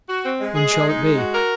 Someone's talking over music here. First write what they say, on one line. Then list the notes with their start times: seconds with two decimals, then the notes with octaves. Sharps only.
"When shall it be?"
0.08 F#4
0.24 C4
0.40 G#3
0.55 G#4
0.71 G#3
0.87 D#4
1.03 G#3
1.18 F#4
1.34 A#4